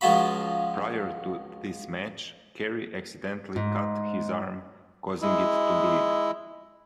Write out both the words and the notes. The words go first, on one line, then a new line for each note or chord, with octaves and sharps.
Prior to this match, Kerry accidentally cut his arm causing it to bleed.
C#2 F3 G#3 F4 F#4 B5
G#2
G#3 E4